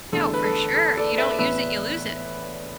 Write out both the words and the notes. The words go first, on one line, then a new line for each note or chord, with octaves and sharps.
Yo, for sure. You don't use it, you lose it.
E2 D3 A3 A4
B4
A4
A4
A4 D5
B4 E5
A2 E3 B3 B4 E5